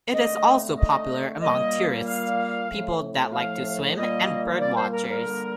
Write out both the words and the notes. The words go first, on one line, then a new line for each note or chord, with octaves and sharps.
It is also popular among tourists, people that like to swim and bird watchers.
D3 A3 D#5
D#5
A#2 G3 A#3 D#5
F5
A2 F3 A3
F5
A#2 G3 A#3 D#5
D5
C5
A#4
A#4
D3 G3 A#3